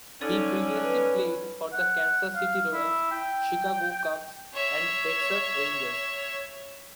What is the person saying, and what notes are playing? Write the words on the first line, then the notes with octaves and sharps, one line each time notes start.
He previously played for the Kansas City Royals, Chicago Cubs, and Texas Rangers.
D3 C#4 D#4 A4
B4
F#5
F5
E4
G5
C#5 E5